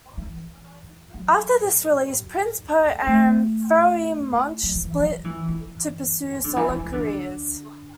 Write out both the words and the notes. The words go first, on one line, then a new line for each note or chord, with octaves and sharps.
After this release, Prince Po and Pharoahe Monch split to pursue solo careers.
E3
F#3
A3
F#3
E3
F#3
E3
E3
D3
E3
E3
E3
D3